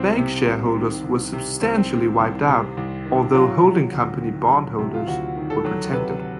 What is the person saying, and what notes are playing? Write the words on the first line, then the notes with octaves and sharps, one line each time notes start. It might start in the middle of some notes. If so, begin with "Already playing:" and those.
Bank shareholders were substantially wiped out, although holding-company bondholders were protected.
Already playing: C2 C4
C3
C2
D#3
C2
C3
C2 C4
C4
D#3
C2
C3
C2
D#3
F#3 F4
C3
D2
D#3
F#3
C3 E4
F4
D2 F#4
D#3
A4
F#3
C3 B4